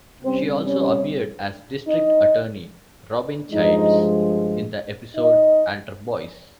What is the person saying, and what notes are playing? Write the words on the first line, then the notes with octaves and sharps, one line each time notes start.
She also appeared as District Attorney Robin Childs in the episode "Alter Boys".
C3 G3 C4 C#4 C5
C#4 C#5
D#4 D#5
G2 F3 G#3 D#4 D#5
D#4 D#5